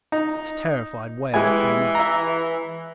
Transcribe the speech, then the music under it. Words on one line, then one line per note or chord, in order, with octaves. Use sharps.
Its terrified wail came up.
D#4
E3 G#3 G4 G#5
E5 A#5